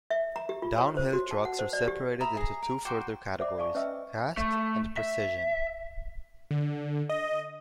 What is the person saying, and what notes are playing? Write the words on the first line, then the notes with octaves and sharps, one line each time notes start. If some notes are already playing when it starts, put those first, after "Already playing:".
Downhill trucks are separated into two further categories: Cast and Precision.
E5
A#5
G4
F4
C#5
C5
F#4
A5
F#5
C5
D5
G4
E5 A#5 B5 D#6
G#4 A#5
A#4
F#4 C5 G5 D6
C5 D5 E5 F#5 D6
D5 F5 G#5 A5 C#6
C#4 B4 D#5 E5 G5 E6
A3
E5
D3
D#5